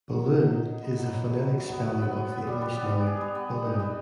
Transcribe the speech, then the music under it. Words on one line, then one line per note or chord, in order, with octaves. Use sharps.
"Buhloone" is a phonetic spelling of the English noun "balloon".
F#3
F#3
F#3
D#4
D#4
B3
F#3
F#3
F#3
F#3
F#3
B3
B3
B3
F#3
B3
G3
G3
B3
G3
G#4
G3
B3
G3
D#4
G3